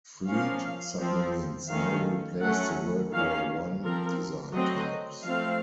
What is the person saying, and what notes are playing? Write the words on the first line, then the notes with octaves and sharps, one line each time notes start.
Fleet submarines now replaced the World War One-designed types.
F3 A#3 C#4 F5
F3 C4
D#3 A3 C#4 F5
F#3 A3 C#4 F#5
D#3 A#3 C#4 F5
F3 C4 A#4
F#3 A3 C4 D#5
F3 A3 C4 F5